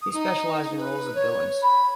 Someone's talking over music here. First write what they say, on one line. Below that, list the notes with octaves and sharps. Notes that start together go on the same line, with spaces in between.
He specialized in roles of villains.
D#6
D#4
B4
C#5
B5